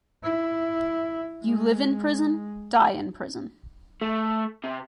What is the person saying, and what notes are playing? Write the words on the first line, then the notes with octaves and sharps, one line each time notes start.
You live in prison, die in prison.
E4
G#3
A3
C3